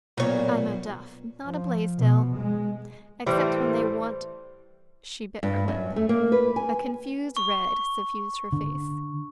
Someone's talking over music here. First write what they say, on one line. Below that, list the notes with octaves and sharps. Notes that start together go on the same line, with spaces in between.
"I'm a Duff, not a Blaisdell--except when they want--" She bit her lip. A confused red suffused her face.
B1 G2 A#2 C#5
F3
B2
G#3
A2 E3 G3 C5
G2
F#2
A3
A#3
B4
G#5
C#6
D3